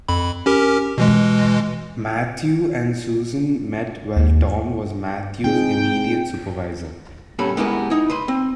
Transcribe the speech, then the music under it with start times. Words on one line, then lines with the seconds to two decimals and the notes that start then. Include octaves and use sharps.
Matthew and Susan met while Tom was Matthew's immediate supervisor.
0.08 F2 B5
0.46 C#4 G4 A#4
0.98 B2 E3 G#3
4.16 D#2
5.44 C4 D#4 G#4 G5
7.39 G2 A#2 B3 C#4 A4 B5
7.57 G#3 B3 E4 G4 A4 A#4
7.90 D#4 E4
8.10 B4 B5 C6
8.28 C4